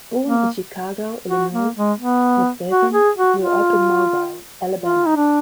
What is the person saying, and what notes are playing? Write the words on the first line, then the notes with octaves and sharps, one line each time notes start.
Born in Chicago, Illinois, McGivern grew up in Mobile, Alabama.
A#3
F#4
A#3
G#3
B3
F#4
G#4
F#4
F4
F4
D#4
D4